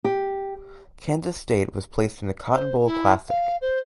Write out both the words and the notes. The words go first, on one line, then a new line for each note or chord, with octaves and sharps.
Kansas State was placed in the Cotton Bowl Classic.
G4
C5
E4
F5
C5